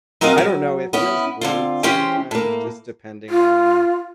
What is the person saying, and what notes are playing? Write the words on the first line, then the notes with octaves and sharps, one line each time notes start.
I don't know, it feels rude sometimes, just depending on,
F#3 C4 A#4 D#5 F5
F#3
B3 C#4 E4
D3 C4 F4
E3 G#3 C#4 G4 C5 G5
A2 A#3
F4